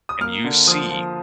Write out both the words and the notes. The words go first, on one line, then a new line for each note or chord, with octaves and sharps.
and you see,
D#6
A#3 F6
D3
F3 D#6
F3